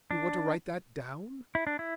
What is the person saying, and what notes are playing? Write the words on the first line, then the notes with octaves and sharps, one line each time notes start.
You want to write that down?
D4
E4
D4
E4